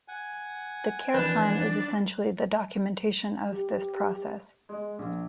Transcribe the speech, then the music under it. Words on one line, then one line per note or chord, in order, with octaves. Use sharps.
The care plan is essentially the documentation of this process.
F#5 G#5
F2 D#3 E3 D4 B4 F#6 G6
G4
G#3
A#1